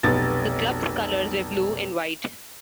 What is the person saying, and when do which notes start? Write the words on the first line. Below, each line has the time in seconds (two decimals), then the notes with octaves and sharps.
The club's colors were blue and white.
0.03 F1 B1 B3 A6